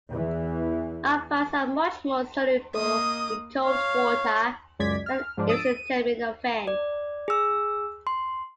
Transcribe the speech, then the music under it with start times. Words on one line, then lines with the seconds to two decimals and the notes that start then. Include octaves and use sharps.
Opiates are much more soluble in cold water than acetaminophen.
0.10 E2 E3
2.75 A#3 D#5 D#6
3.65 C#5 F5
4.79 C#2 F#2 G#3 D5 G#6 B6
5.06 F6
5.37 G#2 F3 D4
5.49 D#6 E6 A6 D7
5.65 D#7
6.67 D5
7.28 G#4 E6
8.07 C6